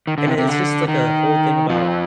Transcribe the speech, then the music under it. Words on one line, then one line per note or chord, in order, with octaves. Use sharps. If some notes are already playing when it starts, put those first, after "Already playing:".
and it's just, like, a whole thing about
D#3
D3
C3
C3
D3
D#3
F2 F3